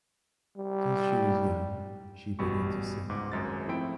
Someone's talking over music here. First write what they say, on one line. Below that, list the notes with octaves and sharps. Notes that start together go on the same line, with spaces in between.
Since she was young, she began to sing.
G3
A1 B2 G3 B5 C#6
C#2 G#2 D6
G#1 F#2 G#3 D#5 A6
F3 A3 C4 E4 G5 D7